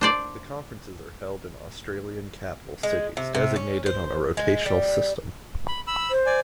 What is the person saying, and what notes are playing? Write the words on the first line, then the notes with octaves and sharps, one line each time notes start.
The conferences are held in Australian capital cities designated on a rotational system.
D4 C5 D5
G#3
C3
C3
C#4
C5
G#3
G3
B5
B5 E6
C5
D5 G#5